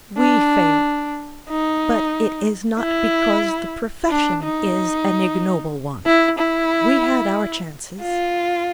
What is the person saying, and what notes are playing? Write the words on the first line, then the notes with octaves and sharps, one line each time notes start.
We fail, but it is not because the profession is an ignoble one; we had our chances.
D4
D#4
E4
D4
D#4
E4
E4
F4